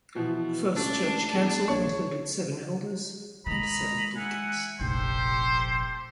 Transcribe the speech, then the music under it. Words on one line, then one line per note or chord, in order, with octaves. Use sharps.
The first church council included seven elders and seven deacons.
B2 E3 F3
C#2 A3 D4
E1 G#4
A#1 C#5 C#6
D#3 G#3 D#5 A#5 B5
E4 F#5 G#5
F1 A#1 G4 A4 C5